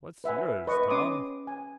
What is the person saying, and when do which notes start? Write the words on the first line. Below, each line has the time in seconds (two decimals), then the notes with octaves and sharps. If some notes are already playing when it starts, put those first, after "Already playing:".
What's yours, Tom?
0.24 B4 E5 F#5 G#5
0.67 B4 D#5 C#6
0.90 C#4 C6 D6 D#6
1.47 G#5